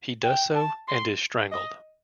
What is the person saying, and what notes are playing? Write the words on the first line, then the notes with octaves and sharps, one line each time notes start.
He does so, and is strangled.
G5
A5
C6
D#5